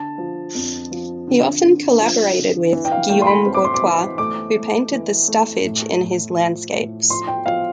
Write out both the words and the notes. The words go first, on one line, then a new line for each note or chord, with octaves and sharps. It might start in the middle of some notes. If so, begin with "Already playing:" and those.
He often collaborated with Guillaume Courtois who painted the staffage in his landscapes.
Already playing: D3 A5
F3
F2
F3
D3
D3
F3
D3
E3
G5
F5
A3 G5
C6
B5
C4
D6
C6
D6
E3
A3 D6
A3
E3
A3
A2
A2
F3
A2
F3 C6
G5
F3 F5